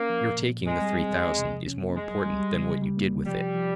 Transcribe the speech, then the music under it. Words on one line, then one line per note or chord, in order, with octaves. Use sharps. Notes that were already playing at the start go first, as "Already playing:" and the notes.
Your taking the three thousand is more important than what you did with it.
Already playing: A#3 C#4
F3
A#2
A#2
A#2
G#3 C4
G3
C4
E2
E2
C3
F3
C#4
A#3
E2 G#3
G3
G3
G3
C#3
C#3
G3
A#3
C3
F3 G3
F3
F3